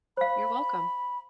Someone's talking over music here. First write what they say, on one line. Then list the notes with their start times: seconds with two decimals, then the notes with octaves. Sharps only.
You're welcome.
0.17 C5 F5 B5